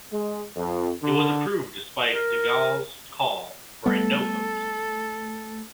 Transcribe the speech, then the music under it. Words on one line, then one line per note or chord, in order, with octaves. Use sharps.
It was approved despite De Gaulle's call for a "no" vote.
G#3
F2
D3
A#4
G3 A3 B3 A4